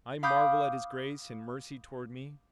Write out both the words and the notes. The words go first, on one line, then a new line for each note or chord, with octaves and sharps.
I marvel at his grace and mercy toward me.
F5 B5 D6 D#6 G6